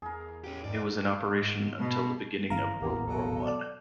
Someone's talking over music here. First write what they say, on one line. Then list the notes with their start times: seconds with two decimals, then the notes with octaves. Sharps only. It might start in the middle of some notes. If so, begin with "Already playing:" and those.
It was in operation until the beginning of World War One.
0.02 E2 G#4 A#4
0.44 A#3 C#4 G4
0.64 F2 G#2 D5
1.31 G#2
1.81 B2
2.50 G1 D3 E3 F5 A#5
2.82 D#1 A1 E2 E3 A#3 B3
3.07 B2 F#3 A4
3.47 D5